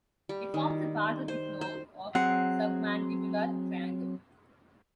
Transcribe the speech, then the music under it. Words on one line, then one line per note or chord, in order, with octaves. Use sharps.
It forms a part of the floor of submandibular triangle.
G3
D#3
C5
C5
F#3 C4 G#4 F#5